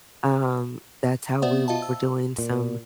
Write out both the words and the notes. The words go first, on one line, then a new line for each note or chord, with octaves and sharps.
Um, that's how we were doing some
B3 C5 D5 E5 F#5
F4 D#5 F5 A5
E6
A#2